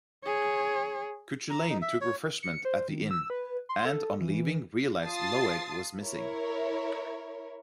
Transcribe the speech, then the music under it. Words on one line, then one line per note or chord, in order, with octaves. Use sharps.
Cuchulainn took refreshment at the inn and on leaving realised Loeg was missing.
G#4 C#5
A#5
D#4
E5
C#5
C#7
C5
D#3
E6
B4
C6
A4
E3
F4 A5 D#6 A6 C7
E4 A#4 C#5